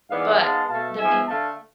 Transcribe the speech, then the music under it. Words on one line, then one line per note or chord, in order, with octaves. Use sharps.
But the beu
G#2 E3 B3 D5 F5
G#2 G#3 B3 F5 A5
B2 A3 F5 A5
G#2 F3 B3 E5 G#5
D3 A3 F5 A5